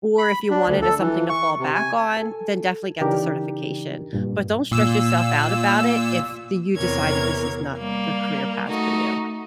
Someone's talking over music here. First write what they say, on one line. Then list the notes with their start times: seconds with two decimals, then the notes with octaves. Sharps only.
or if you want it as something to fall back on, then definitely get the certification. But, don't stress yourself out about it, if the you decided this is not the career path for you.
0.18 B5
0.50 D4
0.67 D2
0.82 A4
0.99 E3
1.30 C#6
1.59 C3
1.75 G#5
2.17 A4
3.01 C#3 E3 D4 D#4 G4 A#4
4.13 G2 A#2
4.72 A#2 E6
6.76 E2 C3 A#4 C#5 G#6
7.78 G3 A#3
8.67 A3 D#4 F#4